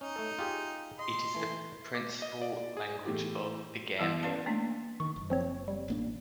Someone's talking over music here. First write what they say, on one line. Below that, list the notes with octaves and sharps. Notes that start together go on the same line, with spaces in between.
It is the principal language of the Gambia.
C#4 D#4
A3 A4
F4 G4 G#4
D#5 C6
E3 A3
D6
D#5
D5
G#4
A2 E3 G4
E3 G3 B3 E4 F#5 C6
C#4 B4 D5 F5 A5
A3 A#3 D4
D#3 C#6
F#1
F3 C4 C#5
G3
A1 A#3 D4